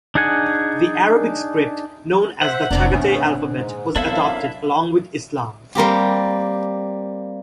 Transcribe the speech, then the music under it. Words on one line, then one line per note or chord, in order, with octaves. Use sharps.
The Arabic script, known as the Chagatay alphabet, was adopted along with Islam.
D4 D#4 G#4 F#5 G#5
C5 E5 F#5
F1 D3 C4 D4 D5 A#5
A#2 A3 B3 C#4
G#2
F#2 B3 C4 D4 E4 A4 E5 F5
G3 A#3 C4 G4